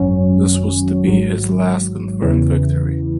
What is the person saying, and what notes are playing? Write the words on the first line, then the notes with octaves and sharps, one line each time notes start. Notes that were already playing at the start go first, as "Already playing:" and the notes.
This was to be his last confirmed victory.
Already playing: G#1 F#2 F#3 C#4
G#1 G#2 F#3
E2 C#3 E3